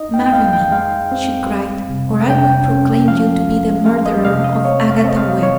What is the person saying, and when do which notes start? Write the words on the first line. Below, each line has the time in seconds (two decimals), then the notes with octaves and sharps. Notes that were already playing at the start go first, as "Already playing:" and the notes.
"Marry me," she cried, "or I will proclaim you to be the murderer of Agatha Webb."
Already playing: D#4 D#5
0.14 G5
0.26 G5
0.33 G#3 F5
0.53 G5
0.72 G#3 F5
1.12 C4
1.51 G3
1.89 C3
2.29 C3 G5
2.68 C#4
3.08 F3 F5
3.46 G#3
3.85 G#3 F5
4.06 D#5
4.25 C3 F5
4.44 D#5
4.65 C4 C#5
4.91 F5
5.04 C4 D#5
5.17 F5
5.43 G3 C#5